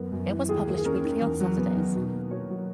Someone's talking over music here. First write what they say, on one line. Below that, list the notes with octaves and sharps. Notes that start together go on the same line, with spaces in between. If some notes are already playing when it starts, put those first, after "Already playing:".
It was published weekly on Saturdays.
Already playing: F#2 D#3 B3 A#4
F#2
E3
D#2 G#4
A#3
G#4
C#4 A#4
D#3
E2 A#4
F#3
B3
D#3
B2
A#3
B2 C#5
F#3